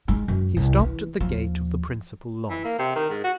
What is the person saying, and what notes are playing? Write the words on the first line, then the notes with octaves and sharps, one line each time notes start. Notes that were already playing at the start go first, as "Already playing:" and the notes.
He stopped at the gate of the principal lodge.
G#3 D#4
F#2
C2
E3
D#2 F3
E3
A#3
C3
D#3
G#2
F#4